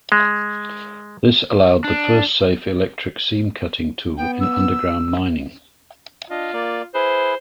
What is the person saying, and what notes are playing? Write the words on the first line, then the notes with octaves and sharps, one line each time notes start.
This allowed the first safe electric seam cutting tool in underground mining.
G#3
D4
B3 G5
E6
D4 F4 D#5
A#3 D5
E4 G#4 B4 C5